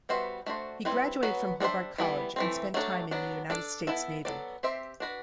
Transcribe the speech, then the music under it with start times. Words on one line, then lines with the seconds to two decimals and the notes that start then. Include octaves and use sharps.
He graduated from Hobart College and spent time in the United States Navy.
0.09 G3 B3 F#4 C5 E5
0.46 A3 D4 F#4 C5
0.85 G3 C4 E4 B4
1.23 F#3 B3 F#4 B4
1.60 G3 D4 A4 C5 E5
1.98 E3 G3 B3
2.36 E3 A3 C4
2.74 F#3 A3 D4 A4
3.11 F#3 B3 D4
3.50 D4 A4 D5
3.87 B3 E4 A4 E5
4.25 F#3 B3 D4 A4 D5
4.63 C4 G4 C5 E5
5.00 D4 F#4 B4